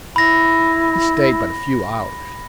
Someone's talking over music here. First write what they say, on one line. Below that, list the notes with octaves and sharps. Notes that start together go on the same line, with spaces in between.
He stayed but a few hours.
E4 B5 A#6